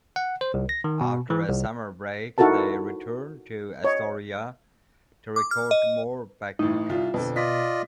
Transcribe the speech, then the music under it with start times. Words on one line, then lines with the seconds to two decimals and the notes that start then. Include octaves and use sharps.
After a summer break, they returned to "Astoria" to record more backing tracks.
0.16 F#5
0.41 C5
0.54 C2
0.69 A#6
0.84 D#3
1.01 B2
1.30 E3
1.49 C2
2.38 D#4 E4 F#4 A4 A#4 A5
3.84 C#5 D#5
5.36 D6
5.51 F6
5.71 D#5
6.59 A1 A2 D#4
6.89 C2 F4
7.14 F2 B2 D3
7.36 F4 D5 D#5 B6